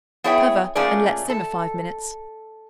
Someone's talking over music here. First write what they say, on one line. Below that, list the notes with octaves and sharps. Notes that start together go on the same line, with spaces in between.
Cover and let simmer five minutes.
B3 E4 G#4 C#5 E5 G5
A#2 A3 C#4 G#4 D5
A4